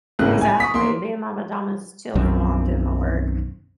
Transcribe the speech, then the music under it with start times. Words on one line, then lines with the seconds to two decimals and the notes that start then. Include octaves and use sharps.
Exactly, me and my pajamas chilling while I'm doing my work
0.19 G#1 A2 C#3 F#6
0.41 G#5
0.60 C#6 D#6 B6
0.74 A#3 C6
2.15 B1 F#2 D#3 C4